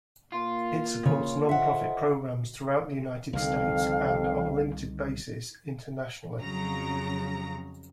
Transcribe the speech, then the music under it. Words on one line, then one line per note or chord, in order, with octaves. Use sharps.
It supports nonprofit programs throughout the United States and, on a limited basis, internationally.
A#2 A#3 F4
C#3 C#5
A4 C5 D#5 E5 F#5
C2 F2 D3 D#3 F5
F2 C#3 F#3 A#5